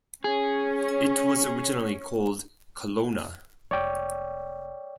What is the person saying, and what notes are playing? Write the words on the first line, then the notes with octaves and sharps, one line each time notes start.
It was originally called Colona.
C#4 G#4
F1 C#5 D5 G5